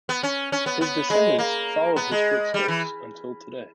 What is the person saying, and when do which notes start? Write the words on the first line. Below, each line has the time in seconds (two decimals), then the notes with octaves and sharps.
His descendants follow his footsteps until today.
0.09 B3
0.23 C#4
0.52 C#4
0.66 B3
0.81 B3
1.10 G#3
1.39 A#3
1.96 B3
2.11 G#3
2.54 G3
2.68 E3